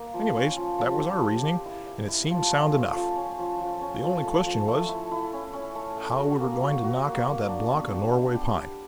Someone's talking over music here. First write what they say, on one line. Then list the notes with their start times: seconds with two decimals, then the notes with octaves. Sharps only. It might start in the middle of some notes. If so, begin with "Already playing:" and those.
Anyway, that was our reasoning, and it seemed sound enough; the only question was how we were going to knock out that block of Norway pine.
Already playing: A#3
0.14 F3
0.36 C#4
0.57 F3
0.78 F3
1.00 G4
1.22 G4
1.43 G4
1.66 E4
1.86 F5
2.08 E4
2.30 F3
2.51 C#4
2.74 A3
2.95 F3
3.16 C#4
3.38 F3
3.60 F3
3.81 C#4
4.03 F3
4.24 A3
4.46 F3
4.68 A3
4.89 E4
5.11 E4
5.33 C#4
5.53 C#4
5.75 A3
5.97 A3
6.18 F#4
6.40 A#3
6.62 F#4
6.84 F#4
7.05 A#3
7.27 A#3
7.48 D4
7.71 B3
7.91 G4
8.13 B3
8.35 G4
8.57 G4